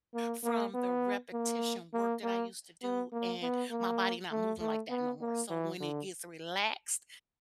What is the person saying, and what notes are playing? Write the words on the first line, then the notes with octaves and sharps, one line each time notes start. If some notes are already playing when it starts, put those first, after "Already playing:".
from the repetition work that I used to do and my body not moving, like, that no more so when it gets relaxed,
A#3
A#3
B3
A#3
A#3
A#3
B3
A#3
B3
A#3
A3
A3
B3
A#3
E3
D3